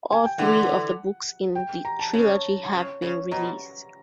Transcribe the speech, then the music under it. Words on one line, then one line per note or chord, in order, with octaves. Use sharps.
All three of the books in the trilogy have been released.
G#5
G5
D3 E3 F#5
G5
A#5
A5
C#3
C#3
C#3
B2 A#5